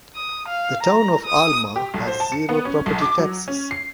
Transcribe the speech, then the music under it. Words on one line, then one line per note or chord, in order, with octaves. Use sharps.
The town of Alma has zero property taxes.
D#6
F5
A#5
D#6
G4
B1
C5
A5
C#7
B3
C#4
B1
D6
F#3
C#4
C7